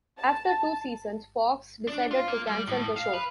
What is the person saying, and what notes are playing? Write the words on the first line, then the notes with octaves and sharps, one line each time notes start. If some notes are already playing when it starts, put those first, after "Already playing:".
After two seasons, Fox decided to cancel the show.
A5
D4
F4
A#3
G3
A2
F5
B4